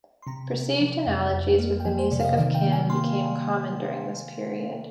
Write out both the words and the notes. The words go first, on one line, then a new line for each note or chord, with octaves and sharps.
Perceived analogies with the music of Can became common during this period.
C6
C3 A#5
C3
F3
F2
F2
A#3
G5
F3 G#5
C5
C3 D5
F5
D#5
D#3 F5
G5
A#3
G#5
A#3 C6